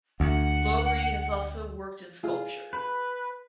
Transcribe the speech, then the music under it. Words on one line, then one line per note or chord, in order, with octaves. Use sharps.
Lowrey has also worked in sculpture.
D2 F#5
F4 G#4
B4